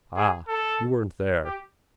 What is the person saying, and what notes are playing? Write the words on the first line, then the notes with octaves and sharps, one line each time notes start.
Ah, you weren't there.
G#4
A4
G4